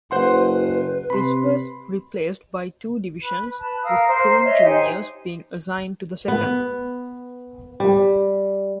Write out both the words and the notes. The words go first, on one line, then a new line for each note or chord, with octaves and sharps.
This was replaced by two Divisions with Troon Juniors being assigned to the Second.
F#1 B4 C5 F#5 C6
C3 B5 C6
B4
B4 A5
A#4 F5 D#6 E6
A#4 C5
C#5 D#5 E5
D#4 G4 C5 G#5
B3
G3